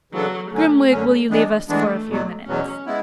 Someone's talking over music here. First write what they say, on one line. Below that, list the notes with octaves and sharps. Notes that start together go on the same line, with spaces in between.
Grimwig, will you leave us for a few minutes?'
C#3 E3 F#3 B3 D4 A4
F#2 D3 F#3 A3 C#4
F#2 D3 F#3 C#4
E3 G#3 B3 D4
E3 G#3 A3 B3 D4
E2 B2 F#3
E2 B2 F#3 C#4
G#3 B3 E4